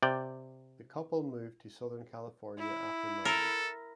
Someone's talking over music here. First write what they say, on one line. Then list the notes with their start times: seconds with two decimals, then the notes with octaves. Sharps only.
The couple moved to Southern California after marriage.
0.03 C3 D5 G5
2.58 E4
3.25 A4 A#4